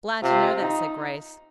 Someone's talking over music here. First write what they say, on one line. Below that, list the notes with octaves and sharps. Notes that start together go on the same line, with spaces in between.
"Glad to know that," said Grace.
C3 F4
D#4